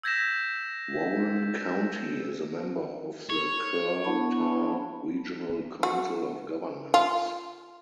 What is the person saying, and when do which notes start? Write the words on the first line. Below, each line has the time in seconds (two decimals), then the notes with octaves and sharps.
Warren County is a member of the Kerr-Tar Regional Council of Governments.
0.03 E6 G6 G#6 A#6 B6 E7
3.30 C#5
4.05 B3 D4 E4
5.83 F#4
6.94 F4